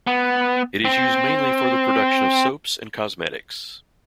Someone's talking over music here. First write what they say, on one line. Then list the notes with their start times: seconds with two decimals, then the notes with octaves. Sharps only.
It is used mainly for the production of soaps and cosmetics.
0.07 B3
0.85 C4